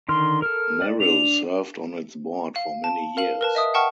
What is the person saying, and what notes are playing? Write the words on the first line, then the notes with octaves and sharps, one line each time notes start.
Merrill served on its board for many years.
D3 D#3 C6 F6
A4 A#4 F6
D5
D4 F7
F5
A5
A#4 F5 F#7
A#4 B4 A5
D#5 E5 D#6
F#5 G5 A5 C#6 F6